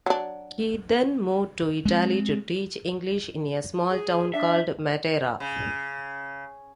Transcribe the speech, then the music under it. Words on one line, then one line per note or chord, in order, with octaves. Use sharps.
He then moved to Italy to teach English in a small town called Matera.
F#3 D4
G#3 C4
G#4
D4 E5
C#3